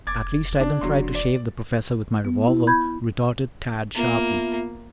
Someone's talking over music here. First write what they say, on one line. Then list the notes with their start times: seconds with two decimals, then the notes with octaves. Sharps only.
"At least I don't try to shave the professor with my revolver," retorted Tad sharply.
0.07 F1 D6 G#6 A6
0.60 D4
0.81 E1 D3 F#3 C6
1.14 D5
2.25 B3
2.48 E4
2.67 B5 G6 G#6
3.95 A#3 B3 F4 E5